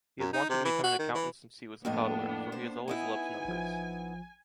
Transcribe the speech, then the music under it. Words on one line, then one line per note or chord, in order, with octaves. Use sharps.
He has wanted to become an accountant since he was a toddler, for he has always loved numbers.
F#2
D#4
C3
E3
F#4
D#3
E3
F2 A2 A#3 B3 D4 D#5
C5
B3 D#4 E4 G#5
A1 F3